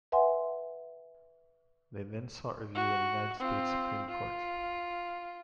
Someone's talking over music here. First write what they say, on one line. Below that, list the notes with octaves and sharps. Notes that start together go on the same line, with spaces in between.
They then sought review in the United States Supreme Court.
B4 E5 F#5 G#5 C6
F#4
C4 F4
F4